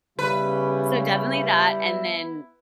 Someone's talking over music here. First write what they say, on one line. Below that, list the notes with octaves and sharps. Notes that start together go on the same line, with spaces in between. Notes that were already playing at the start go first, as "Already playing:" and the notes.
So, definitely that and then
C#3 G3 B3 E4 B4